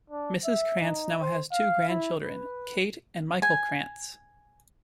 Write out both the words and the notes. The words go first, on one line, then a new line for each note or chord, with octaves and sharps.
Mrs. Krantz now has two grandchildren, Kate and Michael Krantz.
D4
E5
D#4
C5
F5
E4
B4
G#5